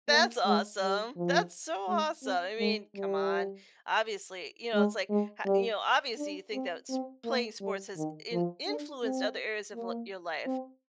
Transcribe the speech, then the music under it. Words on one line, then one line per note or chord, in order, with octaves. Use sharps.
That's awesome. That's so awesome, I mean, come on obviously you know, it's, like, h you know, obviously, you think that sp playing sports has in influenced other areas of li your life,
A#3
G#3
G3
F3
G#3
C4
G#3
G3
G#3
G#3
G3
D4
C4
C4
A#3
G3
D#3
F3
D4
C4
A#3
C4